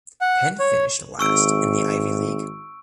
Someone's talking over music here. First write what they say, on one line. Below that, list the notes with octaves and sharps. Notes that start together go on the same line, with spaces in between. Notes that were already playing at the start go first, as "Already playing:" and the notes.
Penn finished last in the Ivy League.
F#5
C#5
G#1 C#6 E6 D7